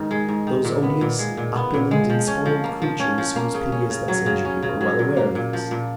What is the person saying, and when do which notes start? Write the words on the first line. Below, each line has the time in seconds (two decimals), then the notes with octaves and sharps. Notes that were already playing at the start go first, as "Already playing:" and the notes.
Those odious, opulent, and spoiled creatures whose pity has thus injured you are well aware of this.
Already playing: G#2 D#3
0.11 G#3
0.28 G#2
0.47 D#3
0.65 A#2
0.83 B3
1.01 A#2
1.19 G#3
1.37 A#2
1.56 B3
1.74 A#2
1.91 G#3
2.10 F3
2.27 C#4
2.46 F3
2.64 A#3
2.82 F3
3.00 C#4
3.18 F3
3.36 A#3
3.54 C#3
3.72 C#4
3.90 C#3
4.08 F#3
4.26 C#3
4.45 C#4
4.63 C#3
4.81 F#3
4.99 A#2
5.17 A#3
5.35 A#2
5.53 F3
5.71 A#2